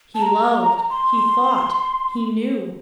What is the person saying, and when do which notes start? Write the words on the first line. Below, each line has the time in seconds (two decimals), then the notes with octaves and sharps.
He loved, he thought, he knew.
0.15 A5
0.22 A#5
0.90 C6